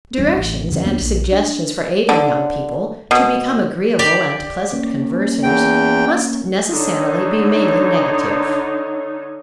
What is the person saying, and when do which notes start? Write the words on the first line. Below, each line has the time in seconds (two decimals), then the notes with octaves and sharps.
Directions and suggestions for aiding young people to become agreeable and pleasant conversers must necessarily be mainly negative.
0.18 D#1 E2 G3 C#4
0.37 A1
0.71 E2 D3 F3 C#4
0.85 D#2 A#3 B3 D4
1.01 A#1
1.32 D4
2.09 D3
3.11 B2
3.99 G4 D5
4.72 A#3 C#4
5.43 E2 G5
6.70 D3 D#4 C#5